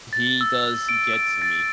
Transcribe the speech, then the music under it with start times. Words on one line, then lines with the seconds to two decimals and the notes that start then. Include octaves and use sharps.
he does get to me.
0.13 A6
0.41 E6
0.89 D7
1.14 E6
1.42 A6